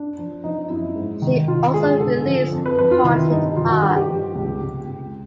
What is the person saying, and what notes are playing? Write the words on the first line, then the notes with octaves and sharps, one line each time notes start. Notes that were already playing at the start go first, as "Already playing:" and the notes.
She also released Haunted Heart.
Already playing: D4
F3
F3 D#4
F#2 E4
G#2
D#3
D#3 F4
G#2 G#4
D3 A4
F3
F2
B4
F2 B4
F4
D#3 E4
G2 D#4
D#3 F4
F#4
G2 G4
G4
F3
C#2
C#2
C#2